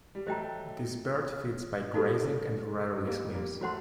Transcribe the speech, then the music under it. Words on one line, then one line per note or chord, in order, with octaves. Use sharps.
This bird feeds by grazing and rarely swims.
G3
F#3 A3 C5 D#5 G5 A#5
G3 A#3 D#4 F#4 A4
G3 A#3
G3 A#3
F#3 A3 F#4 C5 F#5 C6